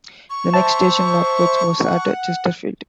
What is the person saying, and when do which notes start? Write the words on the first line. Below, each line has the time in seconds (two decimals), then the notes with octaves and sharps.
The next station northwards was at Chesterfield.
0.30 C#6
0.54 C5 E5 A5
1.85 F#5